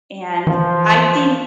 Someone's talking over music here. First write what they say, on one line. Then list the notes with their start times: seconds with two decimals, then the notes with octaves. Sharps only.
and I think
0.47 E3 F3